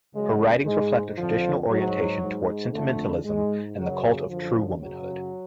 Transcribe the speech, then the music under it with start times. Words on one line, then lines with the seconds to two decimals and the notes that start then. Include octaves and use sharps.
Her writings reflect a traditional orientation toward sentimentalism and the cult of true womanhood.
0.13 F#2 C#3 G#3
0.65 G#2 G#3
1.17 F2 D3 F3
1.69 G#2 F#3
2.21 G#2
2.73 F2 D3 A3
3.24 G#2 G#3
3.76 F#2 C#3 F#3
4.28 F#2 D3 F3
4.80 F#2 C#3 F#3